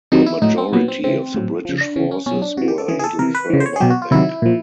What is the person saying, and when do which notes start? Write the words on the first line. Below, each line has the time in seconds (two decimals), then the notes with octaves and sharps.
The majority of the British forces were a little further back.
0.12 C3 D#3 F#3 D#4
0.26 E4
0.42 A2 F#3 D#4
0.58 C4
0.73 A#2 F#3 B3
0.88 C4
1.04 C#3 E3 C4
1.34 A2 F#3
1.65 C#3 F3
1.81 D4
1.96 C#3 E3 C#4
2.11 C#4
2.26 B2 F#3 C#4
2.42 D4
2.57 C3 E3 F#4
2.68 G4
2.78 A4
2.88 E3 G#4
2.91 C#3
2.99 G#4
3.04 A4
3.19 C3 E3 A#4
3.35 B4
3.50 C#3 E3
3.60 C5
3.66 C#5
3.76 G#4
3.80 B2 F#3 G4
3.90 F#4
4.02 F4
4.11 C3 D#3 F#3 E4
4.42 A#2 F3